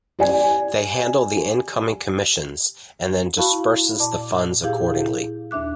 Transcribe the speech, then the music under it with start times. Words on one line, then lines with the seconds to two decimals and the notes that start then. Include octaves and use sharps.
They handle the incoming commissions, and then disburses the funds accordingly.
0.19 G4 D5 G#5
3.37 E4 F#4 F5 A5 B5 C#6
3.99 A#2 D5 A5 D6
4.64 A#2 E4 G4 G#4 F5 G6
5.51 D#2 D4 E5 D6 F#6